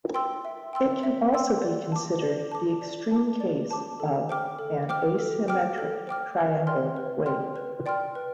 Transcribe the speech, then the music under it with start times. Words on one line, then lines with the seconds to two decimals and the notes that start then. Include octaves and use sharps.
It can also be considered the extreme case of an asymmetric triangle wave.
0.14 G5 C6 E6
0.45 E5
0.73 G5 C6 E6
1.03 E5
1.34 G5 C6 E6
1.62 D5
1.92 A5 D6
2.22 D5
2.51 A5 D6
2.81 D5
3.11 A5 D6
3.40 D5
3.71 A5 D6
4.00 A4
4.29 C5 G5 D6 F6
4.59 A4
4.89 C5 G5 D6 F6
5.19 A4
5.48 C5 G5 D6 F6
5.78 A4
6.07 C5 G5 D6 F6
6.38 B4
6.67 D5 G5 C6 F6
6.96 B4
7.26 D5 G5 C6 F6
7.56 B4
7.86 D5 G5 C6 F6
8.15 B4